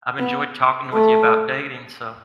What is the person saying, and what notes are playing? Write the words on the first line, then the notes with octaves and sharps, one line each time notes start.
I've enjoyed talking with you about dating, so
B3
A3